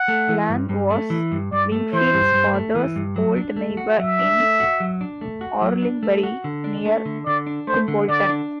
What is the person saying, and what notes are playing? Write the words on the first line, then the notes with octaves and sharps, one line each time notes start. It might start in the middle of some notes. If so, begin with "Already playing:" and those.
Lane was Wingfield's father's old neighbour in Orlingbury, near Kimbolton.
Already playing: F#5
A3
E3
G2
G2
A3
E3
G2
G2 D5
A3
E3 C5
G2
G2
A3
E3
G2
F#3
D4
A3
F#4
F#3 E5
D4
A3
F#4
F#3
D4
A3
F#4
F#3
D4
A3
F#4
D3
D4
A3
D3
D3 D5
D4
A3 C5
D3
D3 D5
D4